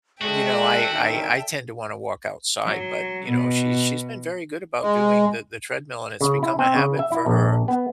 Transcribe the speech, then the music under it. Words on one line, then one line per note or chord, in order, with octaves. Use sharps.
uh, you know, I I I tend to wanna walk outside, but, you know, she's she's been very good about doing the the treadmill and it's become a habit for her,
G#3 F#4 A4 D5 E5 G5 A5
D2 C3 D#3
F#3
B2
G#3
C#3
E4
C4
C#3
E5
E4
A#1
B3